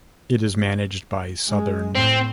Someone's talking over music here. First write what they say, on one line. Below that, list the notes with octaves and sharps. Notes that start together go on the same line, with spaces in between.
It is managed by Southern.
G#3
A2 C4